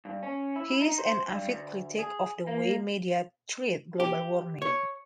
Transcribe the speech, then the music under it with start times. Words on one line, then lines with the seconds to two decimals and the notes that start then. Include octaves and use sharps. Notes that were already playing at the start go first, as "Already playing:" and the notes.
He is an avid critic of the way media treat global warming.
0.05 G2
0.23 C#4
0.56 E4
0.81 D#4
0.98 C5
1.28 G2
1.48 D2
1.99 G#4
2.47 A#3
4.00 G4
4.62 C#5